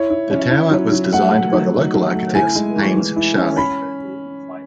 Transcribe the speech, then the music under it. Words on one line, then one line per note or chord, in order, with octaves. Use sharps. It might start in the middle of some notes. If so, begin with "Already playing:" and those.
The tower was designed by the local architects Hames Sharley.
Already playing: E4 C#5
E4
C#4
E4
F#3
F#3
A3 F#5
A3
F#3
D#4
F#3
A3
E4 G#5
G#3
E3
E3
E4
C#4
C#4 B5